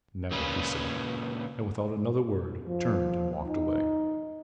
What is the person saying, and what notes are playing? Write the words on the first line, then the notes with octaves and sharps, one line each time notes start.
"Never," he said, and without another word turned and walked away.
A#2 C#3 G#4 B4
F3
D#4